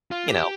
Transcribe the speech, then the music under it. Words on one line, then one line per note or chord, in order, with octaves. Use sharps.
you know
F4
G4